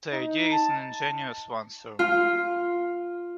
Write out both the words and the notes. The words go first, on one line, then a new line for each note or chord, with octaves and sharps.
The idea is an ingenious one, sir.
D#4
A5
F4